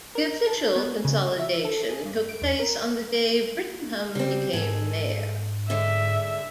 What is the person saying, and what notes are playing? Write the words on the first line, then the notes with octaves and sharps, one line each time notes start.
The official consolidation took place on the day Brittingham became mayor.
A#4
A5
B3
C#3
E5
A4
G#4
G2
D7
E2
A#4
C#3 G3 C4
G#2 G#4 A4
D3 G#3 E5